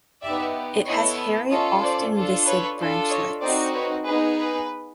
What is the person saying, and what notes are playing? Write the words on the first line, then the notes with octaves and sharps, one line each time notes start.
It has hairy often viscid branchlets.
B3 D#4 G4 D5 E5
B3 E4 A4 C#5 D#5
C#4 F4 A4 C#5 D#5
C5 D5
D4 F4 A4
B4 C#5
D4 F4 A4
C#5 D#5
C4 D#4 F#4 C5 D5
B4 C#5
B3 D#4 G#4 B4
B4